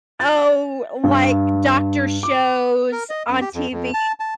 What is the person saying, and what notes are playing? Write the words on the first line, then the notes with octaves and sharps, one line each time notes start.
oh, like, doctor shows on TV,
A6
G2
D6
A#4
D#5
F#2
G4
F2
F2
A5
A5